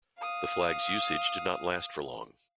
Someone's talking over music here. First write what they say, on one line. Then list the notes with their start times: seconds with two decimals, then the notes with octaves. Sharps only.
The flag's usage did not last for long.
0.19 F5 D#6